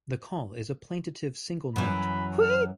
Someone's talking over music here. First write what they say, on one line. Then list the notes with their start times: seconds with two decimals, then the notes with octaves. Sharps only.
The call is a plaintive single note, "wheet".
1.76 F#2 E3 B5
2.41 F6